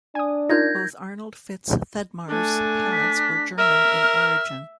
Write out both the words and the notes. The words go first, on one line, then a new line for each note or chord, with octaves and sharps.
Both Arnold Fitz Thedmar's parents were German in origin.
D4 G#5 D#6
D#4 F4 A#4 G6 G#6 A#6
A3 D4 G#5
B6
A#4 E5 F6